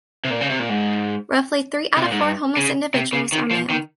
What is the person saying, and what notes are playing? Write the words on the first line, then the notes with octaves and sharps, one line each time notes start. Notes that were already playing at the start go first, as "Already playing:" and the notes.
Roughly three out of four homeless individuals are male.
C3
A#2
C#3
C3
A#2
G#2
C3
A#2
G#2
G2
C#3
C3
C#3
D#3
F3
D#3